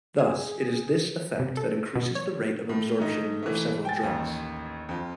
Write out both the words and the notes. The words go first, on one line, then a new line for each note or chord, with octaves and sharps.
Thus, it is this effect that increases the rate of absorption of several drugs.
G#4
C3
A4
B2
C#5
A2
G#2 A3 D#4
E3 A3
G5 G#5 A6
A1 D#2
F2 F4